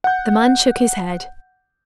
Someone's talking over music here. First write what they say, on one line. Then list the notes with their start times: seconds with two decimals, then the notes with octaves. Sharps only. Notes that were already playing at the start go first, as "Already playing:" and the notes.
The man shook his head.
0.04 F#5 G6